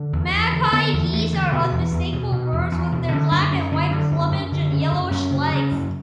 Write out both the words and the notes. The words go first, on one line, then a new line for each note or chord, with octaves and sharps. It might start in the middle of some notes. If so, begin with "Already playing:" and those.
Magpie geese are unmistakable birds with their black and white plumage and yellowish legs.
Already playing: D3
E2
E2
D3
D3 B3
E2
E2 A3
D3
B2 B3
E2
E2
B2
B2
E2
E2
B2
D3 C#4
F#2 D4
F#2 C#4
D3 C#4
D3 D4
F#2
F#2
D3
C#3 C#4
F#2
F#2 C#4
C#3
C#3
F#2